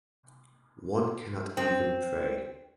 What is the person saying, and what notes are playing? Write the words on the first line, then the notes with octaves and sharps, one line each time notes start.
One cannot even pray.
C4